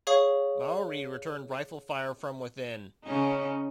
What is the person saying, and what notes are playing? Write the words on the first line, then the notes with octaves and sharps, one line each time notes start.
Maori returned rifle fire from within.
G#4 C#5 F5 C#6 D#6 G#6
C#3 C#4 D#4